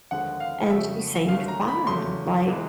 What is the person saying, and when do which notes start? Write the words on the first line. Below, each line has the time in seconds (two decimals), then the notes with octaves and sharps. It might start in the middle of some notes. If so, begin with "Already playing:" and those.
and she seemed fine. Like
0.11 D#2 D3 F3 G#3 F#5
0.40 F5
0.70 F2 C#3 F#3 A3 E5
1.28 D#2 D3 F#3 A3 F5
1.48 A#5
1.68 B5
1.87 E2 C#3 F#3 A3 C6
2.46 C3 E3 G#3